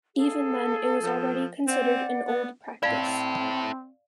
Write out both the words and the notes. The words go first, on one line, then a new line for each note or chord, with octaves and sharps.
Even then, it was already considered "an old practice".
G#4 A4 F5
F3
C4 D5 F#5
B3
C4 E4 A4 D5 F5